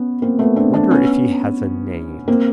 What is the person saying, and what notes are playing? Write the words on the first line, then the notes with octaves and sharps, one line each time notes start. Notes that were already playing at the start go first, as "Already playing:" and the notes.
Wonder if he has a name.
Already playing: B3 C#4
A#3 C4
A3 B3
C4 D4
C4 D4
B3 C#4
A#3 C4